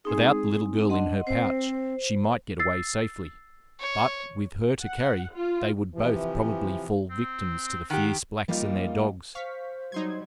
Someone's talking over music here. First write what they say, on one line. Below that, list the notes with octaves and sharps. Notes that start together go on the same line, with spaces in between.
Without the little girl in her pouch, she might get away safely; but, with her to carry, they would both probably fall victims to the fierce Blacks and their dogs.
G#3 C4 D#4 G#4
D4 D#5 F#5 C6
C4 C5
E6 A6 C7
C#5
F#5
F4
C3 E3 F3
C4
D#3 G4 F#5
G3 A#3 D#4 F4
C5 F5 C#6 B6
F#3 G3 D#4 C6 G#6